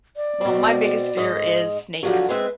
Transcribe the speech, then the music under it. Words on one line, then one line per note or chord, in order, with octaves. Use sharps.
well, my biggest fear is snakes.
D5
B2 C4
G#2 D#5
D3 F3 F#3 G4
G#3 C4 B4 E5